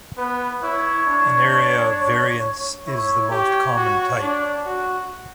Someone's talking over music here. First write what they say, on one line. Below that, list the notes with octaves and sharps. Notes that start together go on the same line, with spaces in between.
An area variance is the most common type.
B3 B4
E4 C#5
D4
E4 C#5
G4 C#5
F#4
D4
F#4